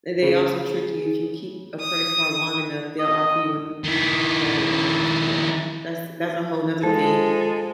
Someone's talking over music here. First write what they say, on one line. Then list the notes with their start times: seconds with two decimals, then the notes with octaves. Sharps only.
and they also trick you, if you keep a credit card long enough, they'll offer you another one, so that's that's a whole 'nother thing.
0.22 C#3 G#4
1.80 D#6
2.99 D#5
3.84 D#3 E4
6.83 F3 G#3 A4